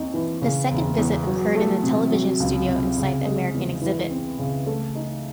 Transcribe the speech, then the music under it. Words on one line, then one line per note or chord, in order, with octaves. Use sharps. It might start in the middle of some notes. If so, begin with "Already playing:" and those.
The second visit occurred in a television studio inside the American exhibit.
Already playing: D#2 C4 D#4
E3
C#3
E1
E2
F#3
A3
C3
F#3
C#2
C3
C#3
G#3
E2
E3
C4
C#3
A3
D#4